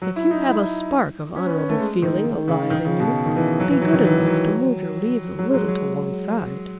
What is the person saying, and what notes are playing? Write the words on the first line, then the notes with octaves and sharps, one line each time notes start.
If you have a spark of honourable feeling alive in you, be good enough to move your leaves a little to one side.
F#3
E4
D#4
E4
C#4
B3
C#4
A3
G#3
D#3
D#3
C#3
D#3
C#3
B2
D#3
E3
F#3
E3
F#3
D#3
E3
F#3
F#3
G#3
F#3
F#3